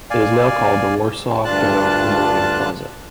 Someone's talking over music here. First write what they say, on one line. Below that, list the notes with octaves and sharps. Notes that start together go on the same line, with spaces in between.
It is now called the Warsaw Ghetto Memorial Plaza.
D5 F5 G#5
D2 G2 D4 F4 A5 F#6